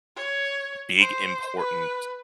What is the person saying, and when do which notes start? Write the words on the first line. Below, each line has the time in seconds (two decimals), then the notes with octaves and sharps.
big important
0.16 C#5
0.98 C5
1.58 B4